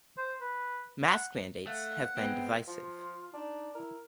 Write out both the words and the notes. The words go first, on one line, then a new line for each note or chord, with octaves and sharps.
Mask mandates have been divisive.
C5
B4
F#5
A3 F5 F#5
G#3 B3 C4 G5
F3 F4
D4 D#4
E4 A#4